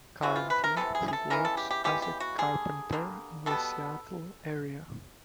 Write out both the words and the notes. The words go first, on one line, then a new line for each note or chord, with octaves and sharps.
Currently, he works as a carpenter in the Seattle area.
C3 E3 G#3 B3 F#4
F4
B4
A#4
C3 E3 G#3 B3 A4
G#4
G#4
A4
C#3 E3 G#3 B3 A#4
A4
G4
G4
C#3 E3 G#3 B3 G4
G4
F#4
D3 G3 A#3 G#4
D3 G3 A#3
B2 G3 B3 A4